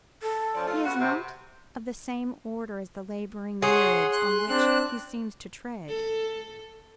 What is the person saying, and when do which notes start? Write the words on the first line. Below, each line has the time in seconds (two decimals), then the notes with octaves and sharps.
He is not of the same order as the labouring myriads on which he seems to tread.
0.22 A4
0.54 F3 C#4 D5
0.66 A3 F4
0.84 B3 F#4 F#5
0.99 C3
3.62 G#4 C#5 F#5 C6
4.13 C6 F#6
4.49 C4 D4 F#6
5.89 A4